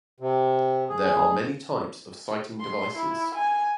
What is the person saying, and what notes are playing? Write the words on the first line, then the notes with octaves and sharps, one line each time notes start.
There are many types of sighting devices.
C3
G#4
C6
E4
G#5